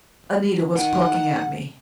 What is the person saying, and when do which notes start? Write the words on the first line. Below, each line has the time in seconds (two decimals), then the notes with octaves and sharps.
Anita was plucking at me.
0.75 D#3 F#5